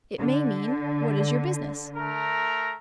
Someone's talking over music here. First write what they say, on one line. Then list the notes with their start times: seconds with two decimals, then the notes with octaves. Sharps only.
It may mean: What is your business?
0.18 D3
1.96 A3 A#4 A#5